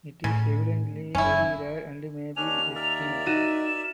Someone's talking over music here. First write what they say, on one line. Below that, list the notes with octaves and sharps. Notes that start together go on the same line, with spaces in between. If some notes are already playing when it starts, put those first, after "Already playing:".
It is evidently very rare and may be extinct.
A2 C#3
F#1 F#2 C#4 E4
D#2 C#4 D4 G#5 F7
A#4 D5 E5
D#4 F#4 D#7 E7